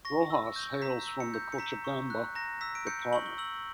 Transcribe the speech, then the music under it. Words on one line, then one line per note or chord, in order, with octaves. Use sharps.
Rojas hails from the Cochabamba Department.
C#6 A#6
E6
G6
A#5 B6
E6
C#7
G6
C#7
A#5 B6
C#6
F#6
A#5 A#6
E6 B6
D7
G6 C#7
C#6 F#7
G7
E6 F#7